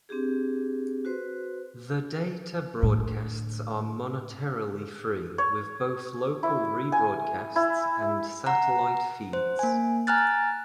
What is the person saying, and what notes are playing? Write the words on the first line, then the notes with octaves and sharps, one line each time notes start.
The data broadcasts are monetarily free with both local rebroadcasts and satellite feeds.
C4 D4 G4 G#4
F#4 B4 C5 C6
A2 D3
C#5
E4
G#5
E4
F#5 A#5
C5
A#3 G#5
G#5 A#5 F6 F#6 A6